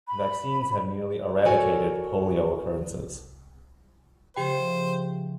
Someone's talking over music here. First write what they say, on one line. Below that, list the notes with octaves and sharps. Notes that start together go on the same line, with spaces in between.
Vaccines have nearly eradicated Polio occurrences.
B5
F#4 A4 A#4 C#5 D5 G#5
C#3 F3 A3 G4 C5 G5